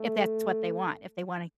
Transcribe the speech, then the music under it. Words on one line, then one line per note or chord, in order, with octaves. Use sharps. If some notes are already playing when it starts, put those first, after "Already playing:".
if that's what they want. If they wanna
Already playing: A3